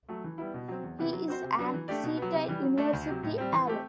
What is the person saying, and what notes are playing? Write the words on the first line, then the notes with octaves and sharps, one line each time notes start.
He is an Seattle University Alum.
F#3 A3
E3
G3 B3 E4
B2
F#3 C4
E2
C3 E3 B3 E4
F#3
C4 F#4 C5
C3
F#3 B3 D4 F#4
E3
A3 D4 G4 D5
B2
F#3 B3
C3
E3 G3
F#3
A3 D4 A4 D5
D2
C3 F#3
A2
G3 C4
E3
A3 C4 G4